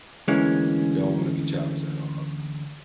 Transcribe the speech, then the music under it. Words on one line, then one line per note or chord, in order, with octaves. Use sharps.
Don't wanna be challenged at all.
D2 E3 G#3 A#3 C#4